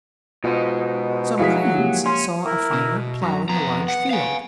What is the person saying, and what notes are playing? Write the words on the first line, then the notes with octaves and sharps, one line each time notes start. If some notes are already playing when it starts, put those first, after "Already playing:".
Some Cranes saw a farmer plowing a large field.
G#2 B2 F4 D#5
F3 F#3 G#3 E4 F#4 G#4 F5 B6
A#3 G4
C#4 C6
E4 A#4
B2
F#2 F#4 A#5
F2 B3 A#5
F#5
F5 G#5